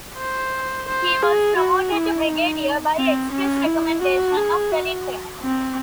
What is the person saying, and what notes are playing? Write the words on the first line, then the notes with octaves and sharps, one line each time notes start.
He was promoted to Brigadier by express recommendation of Wellington.
C5
C5
G#4
F#4
E4
D#4
C4
C#4
E4
F#4
G#4
F#4
C4